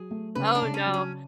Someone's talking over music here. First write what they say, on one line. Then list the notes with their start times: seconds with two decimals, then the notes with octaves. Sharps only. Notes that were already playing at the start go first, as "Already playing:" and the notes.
Oh no.
Already playing: F#3 G#4
0.11 A3
0.35 C#3 B4
0.55 D4
0.62 C#3
0.74 C#4
0.87 F#3
0.94 C#4